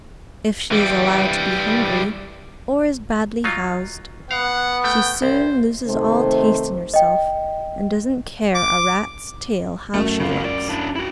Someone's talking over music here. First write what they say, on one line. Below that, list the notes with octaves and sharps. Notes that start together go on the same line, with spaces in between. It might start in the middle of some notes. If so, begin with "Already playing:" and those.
If she is allowed to be hungry, or is badly housed, she soon loses all taste in herself, and doesn't care a rat's tail how she looks.
E3 G3
F#3 D#4 F4
B3 F5 F#5
A3 G5
C2 C5
C3 D#3 A3 D#4 C5
D#5 G5
D6
F#2 A3
C#3 F4
F#3 D5
D4 E4
E4 F#4